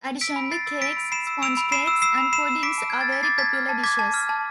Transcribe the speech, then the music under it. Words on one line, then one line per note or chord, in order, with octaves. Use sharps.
Additionally, cakes, sponge cakes, and puddings are very popular dishes.
E6 B6 D7
B5
B5 A6 C7
E6
E6 B6 D7
B5
B5 C7 E7
E6
E6 D7 F7
B5
B5 C7 E7
E6
E6 C7 E7
B5
B5 C7 E7
E6
D6 B6 D7
A5
F6 G#6
A6
A5 B6
D6 A6 C7
A5 G#6 B6
F6
A5
D6 G#6 B6
A5
F6
A5